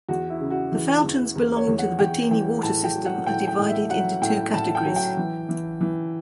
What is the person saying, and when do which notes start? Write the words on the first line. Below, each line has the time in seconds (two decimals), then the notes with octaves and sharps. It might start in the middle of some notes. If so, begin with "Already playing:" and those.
The fountains belonging to the Bottini water system are divided into two categories.
0.09 E2 F#4
0.30 E4
0.40 C#3
0.51 F#4
0.72 E3
1.04 E2
1.36 E2
1.57 C#5
1.67 E2
1.78 F#5
1.99 E2 G5
2.31 E3 G5
2.63 A2 A5
2.84 G5
2.94 F#3
3.05 F#5
3.26 A2 G5
3.48 G5
3.58 A2
3.69 E5
3.90 F#3 F#5
4.21 A2 G5
4.53 A2 A5
4.75 G5
4.85 F#3
4.96 G5
5.17 E3
5.49 E3
5.81 E3